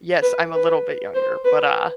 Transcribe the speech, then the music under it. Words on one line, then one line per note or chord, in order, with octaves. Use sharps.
Yes, I'm a little bit younger but, uh
B4
B4
C5
B4